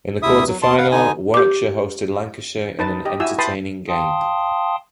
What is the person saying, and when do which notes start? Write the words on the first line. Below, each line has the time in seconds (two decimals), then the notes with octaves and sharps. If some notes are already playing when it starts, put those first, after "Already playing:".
In the quarter-final, Warwickshire hosted Lancashire in an entertaining game.
0.22 D2 C3 E4 E5 D#6
0.47 F#3
0.62 D#2 B2 A5 C6
0.78 B4 F5 F#5
0.91 D3 B3 D#4 G#5
1.34 G4 D6
2.79 D#4 B4 A5
3.05 G4 D#5
3.20 E4 F#4 G#5 E6
3.38 B4 G5 A5 B5 C6 D#6
3.88 F5 G5 A5 C6 D#6